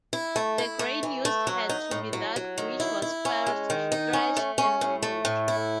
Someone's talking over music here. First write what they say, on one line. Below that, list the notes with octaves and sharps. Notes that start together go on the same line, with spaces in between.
The grain used had to be that which was first thresh and winnowed.
E4
A3
E4
A3
E3
A3
F#3
D#4
A2
F#3
F#3
D#3
E4
E4
C#4
G#3
D#3
D#4
C#4
A3
C#4
A2
A3
A2
E4